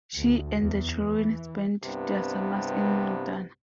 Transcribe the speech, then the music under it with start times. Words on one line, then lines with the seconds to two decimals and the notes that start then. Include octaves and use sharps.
She and the children spent their summers in Montana.
0.16 D2
0.60 E2
0.95 E3
1.84 C2 G2 C3 B3